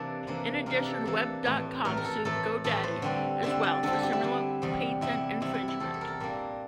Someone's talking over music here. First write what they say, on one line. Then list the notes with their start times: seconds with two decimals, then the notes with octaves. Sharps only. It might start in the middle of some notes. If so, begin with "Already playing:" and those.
In addition, Web dot com sued Go Daddy as well for similar patent infringement.
Already playing: C3 E3 A#3 D4 D5
0.27 C3 E3 A#3 D4
0.66 C3 E3 A#3 D4 A#4
0.86 A4
1.05 C3 E3 A#3 D4 A4
1.45 A2 E3 A3
1.85 A2 E3 A3 A#4
1.97 A#4
2.05 A4
2.25 A2 E3 A3 A4
2.64 A2 E3 A3 A4
2.84 C5
3.02 D3 G3 C4
3.43 D3 G3 C4 E5
3.63 D5
3.83 D3 G3 C4 A4
3.93 G4
4.03 G4
4.13 E4
4.22 D3 G3 C4
4.62 E2 C3 G3
5.01 E2 C3 G3 E4
5.41 E2 C3 G3 E4
5.54 E4
5.68 E4
5.80 E2 C3 G3 A4
5.94 A4
6.01 A#4
6.07 A4
6.20 A#2 G3 A#3 D4